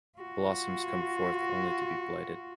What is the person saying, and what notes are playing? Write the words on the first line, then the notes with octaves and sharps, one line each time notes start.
Blossoms come forth only to be blighted.
F4 F#4